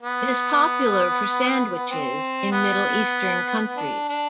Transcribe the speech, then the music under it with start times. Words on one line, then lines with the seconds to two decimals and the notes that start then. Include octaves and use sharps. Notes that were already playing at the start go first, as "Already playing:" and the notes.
It is popular for sandwiches in Middle Eastern countries.
0.02 B3
1.89 C4
2.52 B3
3.77 D4
4.08 D4